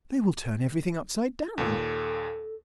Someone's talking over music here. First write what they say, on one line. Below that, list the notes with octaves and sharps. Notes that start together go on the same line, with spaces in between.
"They will turn everything upside down."
D#2 A#2 A4